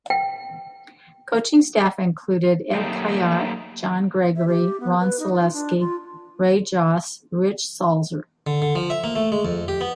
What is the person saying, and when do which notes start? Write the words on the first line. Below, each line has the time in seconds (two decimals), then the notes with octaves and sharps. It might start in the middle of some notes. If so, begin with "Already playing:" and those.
Coaching staff included: Ed Khayat, John Gregory, Ron Selesky, Ray Jauch, Rich Salzer.
0.10 G5
2.74 F#3 A3 A#3 D#4 G4
4.36 E5
4.48 G4
4.80 B3
5.00 B4
5.20 D#4
5.33 F4
5.53 D4
5.80 F4
8.47 D3
8.62 D3
8.75 F3
8.90 E5
9.04 A#3
9.16 A3
9.32 G#3
9.45 F2
9.68 G4
9.81 B3